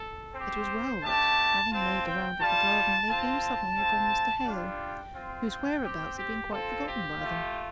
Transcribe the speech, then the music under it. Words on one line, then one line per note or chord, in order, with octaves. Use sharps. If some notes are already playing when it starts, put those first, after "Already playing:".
It was well that, having made the round of the garden, they came suddenly upon Mr. Hale, whose whereabouts had been quite forgotten by them.
Already playing: A4
C4 G4 C5
A3 D4 G4 A5
C4 F4 A5
G5
G3 F4 A5
C4 F4 A5
C4 F4
G3 D4 F4 G5
C4 F4
G5
C4 G4
G4
C4 F4 A4
G4
A3 F4